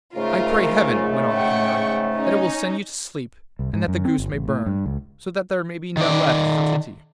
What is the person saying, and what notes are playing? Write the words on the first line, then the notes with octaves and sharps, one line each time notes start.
'I pray Heaven,' went on the Canary, 'that it will send you to sleep, and that the goose may burn, so that there may be none left for Titty.'
G#2 C#3 A3 F4 A#4
F#5 G5 C#6
C#4 D#4
C2
G#2
F#2
C4
G1
A1
A2
G2
C#2
D#3 D5